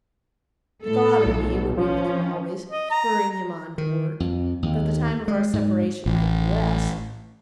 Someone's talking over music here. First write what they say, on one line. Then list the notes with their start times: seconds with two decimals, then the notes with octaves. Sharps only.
The thought of me would be with him always, spurring him on to work, that the time of our separation might be less.
0.83 A2 A4
1.26 B1
1.77 F3 C#4
2.72 D#5
2.91 A#5
3.78 D#3
4.20 F2
4.63 D#2
5.28 G#3
5.53 G#2
6.06 A1